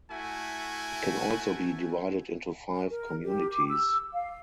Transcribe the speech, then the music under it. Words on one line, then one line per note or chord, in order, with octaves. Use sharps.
It can also be divided into five communities.
A3 E4 F#4 G#5
A#4
G4
D6
E6
F5